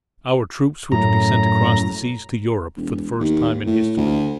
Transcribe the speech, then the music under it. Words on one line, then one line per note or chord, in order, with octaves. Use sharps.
Our troops were to be sent across the seas to Europe for the first time in history.
F#2 A2 A#5
E1
D#2
A2
D2